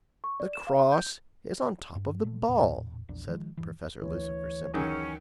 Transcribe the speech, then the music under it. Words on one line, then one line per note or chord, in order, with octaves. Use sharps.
"The cross is on top of the ball," said Professor Lucifer, simply.
C#6
D5
E7
F5
C6
G6
G2
A#2 A3
A1 E2 A#2
A#1 E2 D4
D#3 F3 G#3
D#1 G2 E3
D2 E3 C#5
F#2 D#3 C#4 G#4